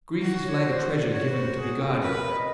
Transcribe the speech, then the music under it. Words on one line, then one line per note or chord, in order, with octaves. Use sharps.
Grief is like a treasure given to be guarded.
F#4
C#5
C5
D5
F#4 C#5
B4
C5
G#4
G4
A4
A#4 B4
D#5